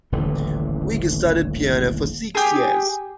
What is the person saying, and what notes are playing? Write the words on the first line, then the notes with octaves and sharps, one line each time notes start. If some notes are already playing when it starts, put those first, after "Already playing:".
Vig studied piano for six years.
D#1 A1 D3 E3
G4 G#4